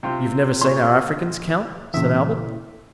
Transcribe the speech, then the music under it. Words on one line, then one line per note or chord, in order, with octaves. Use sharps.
"You have never seen our Africans, count?" said Albert.
C3 C4 F4
A#2 C#5 C6
A#2 C#3 E3 E5